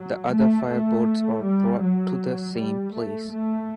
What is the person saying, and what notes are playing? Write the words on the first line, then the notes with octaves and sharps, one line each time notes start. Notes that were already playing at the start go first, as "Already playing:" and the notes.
The other fireboards are brought to the same place.
Already playing: F#3
A3
A3
G3
F#3
G3
A3
A3